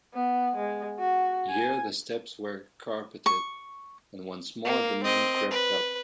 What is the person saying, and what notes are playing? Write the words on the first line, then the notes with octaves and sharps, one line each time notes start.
Here the steps were carpeted, and once more the men crept up.
B3
G#3
F#4
G#5
C#6
A#3
C4 D#5
B4